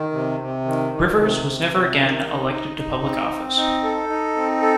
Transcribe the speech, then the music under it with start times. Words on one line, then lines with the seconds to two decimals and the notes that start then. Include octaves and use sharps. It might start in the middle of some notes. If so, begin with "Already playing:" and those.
Rivers was never again elected to public office.
Already playing: D#3
0.12 C3
0.39 C3
0.65 D#3
0.92 D#3
1.18 C3
1.45 C3
1.71 C3
1.97 D#3
2.24 D#4
2.51 D#4
2.77 D#4
3.04 C4
3.29 C4
3.56 D#4
3.83 A4
4.09 D#4
4.36 C4
4.62 A4